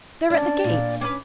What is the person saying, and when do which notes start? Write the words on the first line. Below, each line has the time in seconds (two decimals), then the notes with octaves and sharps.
'They're at the gates!
0.30 C#4 D4 D5
0.64 A#2
1.01 C4 C#4 B4 D6